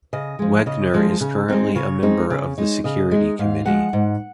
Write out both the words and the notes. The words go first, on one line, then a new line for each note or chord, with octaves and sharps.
Wegener is currently a member of the Security Committee.
C#3 D#5
F3 G#3
C#3 D#5
F3 G#3
C#3
G#3 C4 D#4
C#3 C#5
G#3 C4 D#4
C#3
G#3 D#4
C#3 D#5
G#3 D#4
G#2 F5
F3 G#3 F#5
G#2